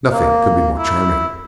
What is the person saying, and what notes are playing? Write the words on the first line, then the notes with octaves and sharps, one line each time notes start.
Nothing could be more charming.
A#3
E4